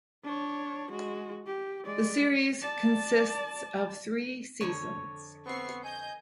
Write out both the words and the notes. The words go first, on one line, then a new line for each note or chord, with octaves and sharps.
The series consists of three seasons.
D4 C#5
G#3 F#4
G4
G#3 D5
D5 A5
F2 D3 C#5 A#5
B3 C4 C#6 C7
D#5 G#5 G6